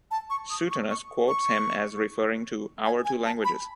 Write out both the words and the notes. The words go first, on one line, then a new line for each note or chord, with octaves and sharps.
Suetonius quotes him as referring to "our two languages".
A5
C#6
D#6
C#6
C#6
C#6
G#5
G#5
A5
B5